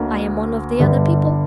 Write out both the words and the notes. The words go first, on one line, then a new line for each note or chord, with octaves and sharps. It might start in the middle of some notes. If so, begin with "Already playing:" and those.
I am one of the other people.
Already playing: D2 D3 A#3
G1 G2 D3